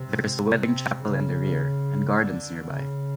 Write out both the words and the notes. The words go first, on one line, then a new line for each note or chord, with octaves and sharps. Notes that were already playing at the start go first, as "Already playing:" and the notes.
There is a wedding chapel in the rear, and gardens nearby.
Already playing: C3
C3
C#3
D3
C#3